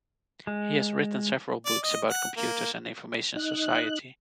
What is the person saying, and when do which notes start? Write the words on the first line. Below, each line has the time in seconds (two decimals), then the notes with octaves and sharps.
He has written several books about computers and information society.
0.47 G#3
1.66 D5
1.83 D#5
2.10 F#5
2.37 A#3
3.36 D#4 F#6